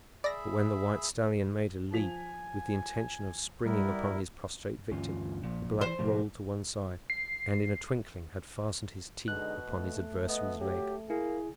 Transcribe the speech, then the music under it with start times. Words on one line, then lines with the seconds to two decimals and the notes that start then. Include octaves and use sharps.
But when the white stallion made a leap, with the intention of springing upon his prostrate victim, the black rolled to one side, and in a twinkling had fastened his teeth upon his adversary's leg.
0.24 G#4 D5 E5 B5 A#6
1.93 F3 G#5 B6 F7
3.66 G3 B3 E4 A#4
4.91 D2 G2 E3 C#4 F4
5.43 A#1 A#2 F3
5.81 E3 E4 C5
5.99 B2 F3 A3 F#4 G4 A#4
7.10 C7
9.28 B2 D3 G#3 D#4 F#6
9.67 A3
10.28 B3 D#5
10.60 F#3 G4
11.10 A#3 E4 G#4